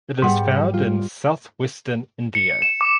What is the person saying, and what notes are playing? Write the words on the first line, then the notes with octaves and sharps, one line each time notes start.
It is found in southwestern India.
G#2 G3 B3 F#5
F4
C#7
E7
D6